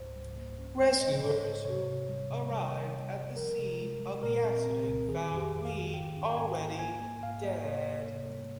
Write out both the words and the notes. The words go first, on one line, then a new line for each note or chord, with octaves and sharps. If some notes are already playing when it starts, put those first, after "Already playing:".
Rescuers who arrived at the scene of the accident found Reed already dead.
Already playing: C#2 G#2 C5
G3
A#3
C#4
G#3 C#5
G#2 D#5
G#2 C#5
G#2 C5
C3 C#5
C3
G3
C3
G3
G3
G3
G3
F3 A#4
C3
G#3
G#3
A#2 A#4
C4
C4
C2
D#3 G#4
F2
G4
F2
F5
D#3
G#2 G5
C#4
G5
G#2 G#5
A#3
A#3 G#5
A#3
G#2 F5
A#3 D#5
C3 C#5
A#3
C3
G3